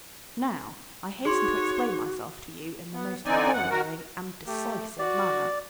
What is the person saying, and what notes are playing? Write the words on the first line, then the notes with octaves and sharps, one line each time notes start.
Now I hasten to explain myself to you in the most thoroughgoing and decisive manner.
D#4 F#4 G#4 C#5 C6 D6
B3
D3 E3 C4 D#4 D5 G#5
F#2 F#5
F#4 A#4
A3 G4
F#4 D5